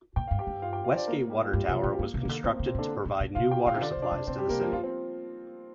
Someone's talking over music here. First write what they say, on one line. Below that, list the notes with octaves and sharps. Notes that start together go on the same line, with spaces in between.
Westgate Water Tower was constructed to provide new water supplies to the city.
A#2 G5
G2 F5
G4 G5
G2
F4 F5
G4 G5
F4 F5
C5
D4 D5
A#3 A#4
G3 G4
F4
G2 G3 G4
C3 F3 F4
A#2 G3 G4
G2 A#3
C3
A#3
C3
D3
D3 C4
A#3
C3
C4
A#2
D3 D4
A#2
A#2
C3 F4 F5
G4 G5
A#2 F4 F5
C3
D3 D5
C3 C5
D4 D5
C3
C3 C4 C5
G3 G4
C3 A#3 A#4
F3 F4
G2 F3 F4
C4